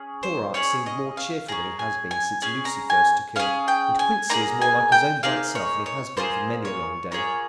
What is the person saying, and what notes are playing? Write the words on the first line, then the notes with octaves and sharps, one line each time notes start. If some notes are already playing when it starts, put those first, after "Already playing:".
Poor Art seemed more cheerful than he has been since Lucy first took ill, and Quincey is more like his own bright self than he has been for many a long day.
Already playing: C#4 G#4
C5
C#4 G#4 C#5
D#5
F5
C#4 G#4 A#5
G#5
G#5
C#4 G#4 G#5
A#5
G#5
C#4 G#4 F5
G5
G#5
A#3 D#4 G#4 A#5
G#5
G5
A#3 D#4 G#4 F5
C#5
C#5
A#3 F4 G#4 C5
C#5
A#3 F4 G#4 C#5